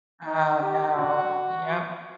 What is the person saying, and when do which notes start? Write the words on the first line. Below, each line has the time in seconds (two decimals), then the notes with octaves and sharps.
Oh no, yep.
0.27 D#4
0.62 G4
0.96 F#4